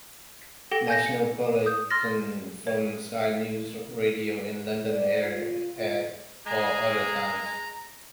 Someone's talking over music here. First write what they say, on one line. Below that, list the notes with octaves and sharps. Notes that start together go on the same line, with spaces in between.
National bulletins from Sky News Radio in London air at all other times.
G4 A4 F#5 G5 A#6 G7
G#5 G6 A#6
C#7
D#6 G6
C6 F6 A6 A#6
C#5
D5
F4
G#3 G#4 A#5